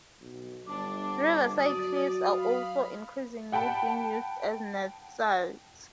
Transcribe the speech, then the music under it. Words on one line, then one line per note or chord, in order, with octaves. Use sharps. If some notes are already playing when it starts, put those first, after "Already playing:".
Riverside cliffs are also increasingly being used as nest sites.
B1
G1 D4 D6
F#3 D5 D#6
F5 B5
F#5 G5 A5 B5